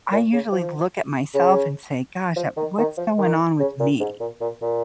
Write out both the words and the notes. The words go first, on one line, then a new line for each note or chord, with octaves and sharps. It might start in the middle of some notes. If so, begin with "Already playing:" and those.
I usually look at myself and say, "Gosh, uh, what's going on with me?"
A#2
C#3
F3
C#3
F3
D#3
D#3
F3
D#3
C#3
A#2
G#2
A#2
A#2
A#2